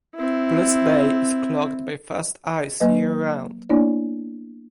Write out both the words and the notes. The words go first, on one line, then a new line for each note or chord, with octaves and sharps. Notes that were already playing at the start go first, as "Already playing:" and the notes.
Bliss Bay is clogged by fast ice year round.
C4 E4
F#3 A#3 B4 D#5
A#3 B3 D4 E4 C#5 D5